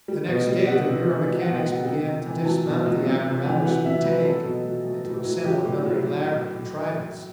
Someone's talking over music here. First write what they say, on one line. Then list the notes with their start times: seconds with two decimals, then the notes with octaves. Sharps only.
The next day the Bureau mechanics began to dismount the apparatus from the tank and to assemble another elaborate contrivance.
0.08 G3
0.28 B2
0.47 G3
0.67 C3 F#5
0.87 C3
1.08 E3
1.28 F#3
1.41 F#5
1.47 B2
1.57 G5
1.66 F#3
1.72 F#5
1.86 C3 G5
2.07 C3
2.26 E3
2.46 F#3 A5
2.66 B2
2.86 F#3
3.06 C3
3.26 C3
3.45 E3
3.65 F#3 F#5
3.85 C3 E5
4.05 F#3 B4
4.24 F#3 A4
4.44 B2
4.65 F#3
4.85 F#3
5.04 A2
5.24 F#3
5.45 F#3 G4
5.65 A2
5.85 F#3